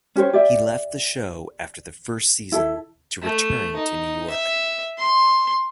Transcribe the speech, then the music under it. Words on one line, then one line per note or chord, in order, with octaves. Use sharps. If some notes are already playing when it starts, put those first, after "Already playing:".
He left the show after the first season to return to New York.
C#4 G4 C5 C#5
G4 D5 E5
E4 A4 E5
A3
D#4
E5
C6